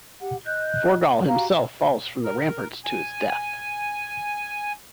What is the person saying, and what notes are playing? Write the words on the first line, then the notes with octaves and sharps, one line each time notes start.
Forgall himself falls from the ramparts to his death.
G4 F#5
D#5 F#6 G6
F#4 G4 F5 A#5
A#4
G#5